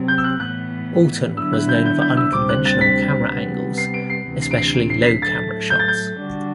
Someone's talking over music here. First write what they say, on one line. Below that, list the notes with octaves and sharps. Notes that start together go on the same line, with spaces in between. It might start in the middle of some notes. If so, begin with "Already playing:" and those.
Alton was known for unconventional camera angles-especially low camera shots.
Already playing: C3 F#3 C4
G6
E6
F#6
A2 E3 B3 F#6
D3 F#3 B3 E4 E6
F#6
G6
G6
G6
E6
D2 C3 G3 C4 D6
F#6
A6
B6
C3 G3 B3
C7
D7
C7
D2 C3 E3
C7
D7
C7
D7
C7
B6
C7
A2 F#3 A3 A6
G6
A6
G6
D3 G3 D4 F#4